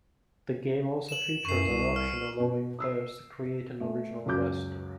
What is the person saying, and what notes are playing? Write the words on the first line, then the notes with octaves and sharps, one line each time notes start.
The game also features an option allowing players to create an original wrestler.
E7 F#7
F#2 C#6 C7
C2
F6
B2
D#6 E6 C7
A3
C#2 F#2 F#4 D6 G6